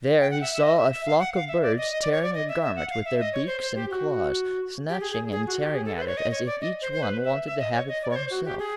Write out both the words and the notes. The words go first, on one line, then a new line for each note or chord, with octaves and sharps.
There he saw a flock of birds tearing a garment with their beaks and claws; snatching and tearing at it as if each one wanted to have it for himself.
G5
F#5
E5
E5
D#5
E5
E5
F5
F#5
F5
E5
D5
D#5
D#5
D5
C#5
D5
D#5
E5
E5
F#5
F5
E5
D#5
C#5
C5
C5
G4
F#4
G4
G#4
G#4
G#4
F#4
G4
G#4
A4
B4
C5
C#5
D#5
C#5
D5
D#5
C5
C5
B4
E5
E5
D#5
C#5
D#5
D5
C#5
C5
F#4
G4
G#4